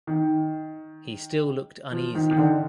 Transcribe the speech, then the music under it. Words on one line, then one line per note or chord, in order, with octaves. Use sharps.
He still looked uneasy.
D#3
F3
D#3
D#3
D3